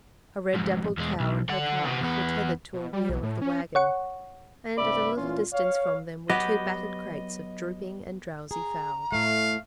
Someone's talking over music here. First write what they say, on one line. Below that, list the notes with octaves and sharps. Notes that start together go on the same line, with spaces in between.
A red-dappled cow and her calf were tethered to a wheel of the wagon, and at a little distance from them were two battered crates of drooping and drowsy fowls.
F2 G#2
E2 G#3
B1
D3 F#5
C3 B3
E2 B3
B2
G3
B1
A2
C#4
C#5 F#5 C#6
G2 C3 D5 E5 B5
A#2 E3 C#4 F4
C#5 F5
F#3 B3 F#4 G4 D#5
G#4 A#5
A2 A3 F5